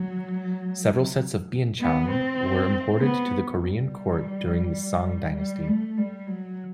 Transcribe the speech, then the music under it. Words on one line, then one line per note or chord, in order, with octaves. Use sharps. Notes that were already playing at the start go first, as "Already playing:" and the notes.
Several sets of "bianzhong" were imported to the Korean court during the Song Dynasty.
Already playing: F#3
B3
C4
B3
G3
G3
A3
G3
F#3